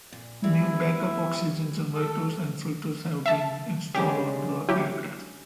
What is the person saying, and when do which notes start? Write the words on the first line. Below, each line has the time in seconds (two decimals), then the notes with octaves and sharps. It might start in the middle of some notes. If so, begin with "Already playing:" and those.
New backup oxygen generators and filters have been installed on the aircraft.
0.12 A#2
0.44 E3 G3 G#3 B3 E4
1.94 A4
3.26 E5 A5
3.95 D3 G#3 C#4 G4
4.69 F#3 E4 G4